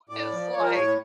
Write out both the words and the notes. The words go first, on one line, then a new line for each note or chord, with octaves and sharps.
it's like
A2 D5
F3
F3 C#5
A#4
A2 C#5